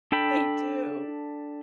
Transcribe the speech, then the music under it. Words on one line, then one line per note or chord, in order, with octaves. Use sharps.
They do.
D4 A4 G5 B5